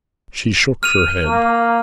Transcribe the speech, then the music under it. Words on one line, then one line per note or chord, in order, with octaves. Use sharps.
She shook her head.
F6 D#7 F7
A#3